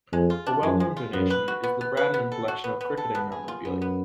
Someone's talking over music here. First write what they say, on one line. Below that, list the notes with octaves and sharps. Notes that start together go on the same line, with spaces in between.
A well known donation is the Bradman Collection of cricketing memorabilia.
F2 G#3
F4
D4
F#2 G#3
G#3
F4
F#2 B3
B4
F#4
B3
B3
B4
B3
A4
F#4
B3
B3
A4
B3
G#4
F4
F#2 B3
B3